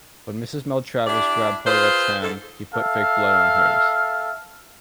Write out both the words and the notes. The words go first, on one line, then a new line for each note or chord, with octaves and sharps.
When Mrs Maltravers grabbed Poirot's hand, he put fake blood on hers.
D4 E4 G4 D5
F4 G#4 B4 C5
G#2 A4
A4 E5 F5